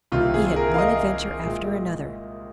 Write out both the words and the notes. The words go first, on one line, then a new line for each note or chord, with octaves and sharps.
He had one adventure after another.
C2 C3 D#3 A#3 F4
G#4
A#4
F5
D#5
A#2 G#3